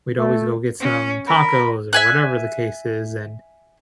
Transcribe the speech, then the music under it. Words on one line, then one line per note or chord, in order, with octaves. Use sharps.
we'd always go get some tacos, or whatever the case is, and,
A3
C#4
A#4 B5
E5 G#5 F#6